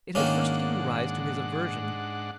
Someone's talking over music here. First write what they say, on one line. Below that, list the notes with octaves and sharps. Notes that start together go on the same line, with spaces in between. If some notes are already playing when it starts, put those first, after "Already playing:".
It had first given rise to his aversion.
G#2 D#3 A#3 C#4 D4 F#5